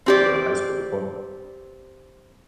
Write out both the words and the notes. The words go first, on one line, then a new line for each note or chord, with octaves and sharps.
your high school diploma.
C4 G4 D5